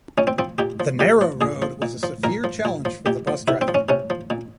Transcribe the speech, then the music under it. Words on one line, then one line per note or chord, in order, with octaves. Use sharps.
The narrow road was a severe challenge for the bus driver.
A#2 C#4
C4
F3 C4
A#2 G4
F3
A#2 G4
F3
A#2 G#4
F3
A#2
F3
A#2 A#4
F3
A#2
F3
A#2 G4
F3
C3 E4
C4
F3
C#4
C3 C#4
F3
A#2